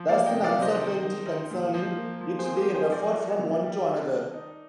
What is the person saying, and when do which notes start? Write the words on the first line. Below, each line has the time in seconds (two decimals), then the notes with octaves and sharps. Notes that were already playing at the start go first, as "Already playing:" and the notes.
Thus in uncertainty concerning it they refer from one to another.
Already playing: F3
0.08 A#3 D5 F5
0.26 D#5 G5
0.32 C3
0.43 D5 F5
0.56 C3
0.62 C5 D#5
0.80 D#3
1.03 D#4
1.27 D#3
1.51 A#2
1.74 F3
1.98 A#3
2.21 F3
2.39 G#4 C5
2.45 C4
2.56 G4 A#4
2.69 F3
2.74 G#4 C5
2.92 F3 A#4 D5
3.16 F3
3.39 A#2
3.63 G3
3.87 D#3
4.10 D4
4.34 D#4